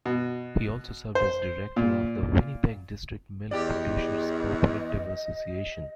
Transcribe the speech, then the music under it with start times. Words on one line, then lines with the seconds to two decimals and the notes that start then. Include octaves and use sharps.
He also served as director of the Winnipeg District Milk Producers Cooperative Association.
0.05 B2
1.15 C5
1.76 A#2
3.51 E2 G4 D5 D#5